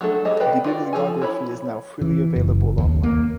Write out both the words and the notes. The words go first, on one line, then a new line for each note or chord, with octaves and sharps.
The bibliography is now freely available online.
F#3 A3 D4 A4
G3 G#4 A4 D#5
B4 D5 F5 G5
F4 F#4 D5
F3 F#4 A4 G#5
E4 C#5 B5
E3
F#1
D#2
A#3